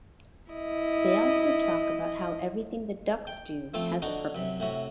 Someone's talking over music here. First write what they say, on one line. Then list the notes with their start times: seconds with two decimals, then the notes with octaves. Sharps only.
They also talk about how everything the ducks do has a purpose.
0.51 E4 D#5
3.27 G5
3.74 F3 A3 C4 F4
4.02 D3 D4 D#4 F#4
4.35 F#2 C3
4.60 A2 C3 F#4